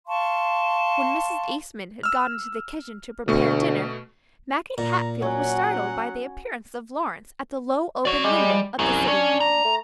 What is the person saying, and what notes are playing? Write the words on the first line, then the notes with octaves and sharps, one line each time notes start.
When Mrs. Eastman had gone to the kitchen to prepare dinner, Maggie Hatfield was startled by the appearance of Lawrence at the low open window of the sitting-room.
F5 A5 C6 C#6
E6 F6
D2 B2 A3 C#6
A#2 A#5
F#3 C#4 F#5
F#3 F#4 D5
G3 G#3
C2 F#3 C#4
C#4 D4
A#5
A3